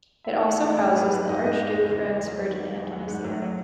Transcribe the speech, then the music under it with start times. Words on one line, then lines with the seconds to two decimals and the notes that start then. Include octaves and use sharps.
It also houses the Archduke Franz Ferdinand Museum.
0.24 E5
0.31 E3 F#5
0.48 E3 F#5
0.64 A2 E5
0.80 A2 C#5
0.97 F#3 B4
1.13 G#2 B4
1.29 G#2 D#5
1.46 G#2 D#5
1.62 E2
1.79 C#3
1.95 E3
2.11 E2
2.28 F#3
2.44 D#3
2.60 F#3
2.76 E2
2.92 F#3 F#5
3.08 G#2
3.25 F#3
3.42 F#3